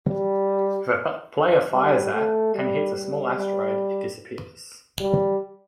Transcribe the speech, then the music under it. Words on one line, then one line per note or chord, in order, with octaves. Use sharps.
If a player fires at and hits a small asteroid, it disappears.
G3
G3
A3
G3
G3
G3
G3